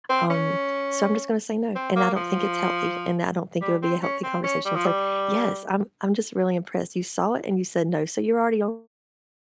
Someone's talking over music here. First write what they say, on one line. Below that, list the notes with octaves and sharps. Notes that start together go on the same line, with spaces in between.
um, so I'm just gonna say no, and I don't think it's healthy, and I don't think it would be a healthy conversation," so yes, I'm I'm just really impressed, you saw it and you said no, so you're already on
C4
C#4
C4
A#3
F3
G3
C4
C#4
C4
C#4
G3
F3
G3